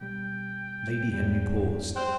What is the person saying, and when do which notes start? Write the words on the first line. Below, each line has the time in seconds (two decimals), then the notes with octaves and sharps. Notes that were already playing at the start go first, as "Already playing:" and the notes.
Lady Henry paused.
0.01 B2 G3 G5
1.13 E2 G3
1.96 C5 D5 G5 F#6